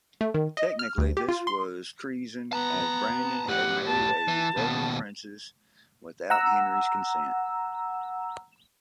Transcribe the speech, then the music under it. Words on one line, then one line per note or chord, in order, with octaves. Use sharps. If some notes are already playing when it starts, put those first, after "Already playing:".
Technically this was treason, as Brandon had married a Royal Princess without Henry's consent.
A3
D#3
D#5
F6
D2
G4
F4
C6
B3 A5 A#5
A2 G4 F#5
A5
E3
D#2 B2
F#5 A#5 E6